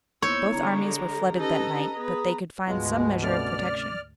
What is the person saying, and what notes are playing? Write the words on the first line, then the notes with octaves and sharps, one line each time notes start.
Both armies were flooded that night, but they could find some measure of protection.
D#2 B3 C4 D#4 E4 C#5 E6 G6
D3 G3 G#3 A#5
A4
C#4 D#4 G4 A4 B4 D#5
B3 G#4 B4 D#6
D2 G#2 B2 G#3 F4
C3 A3 C#4 D5 F6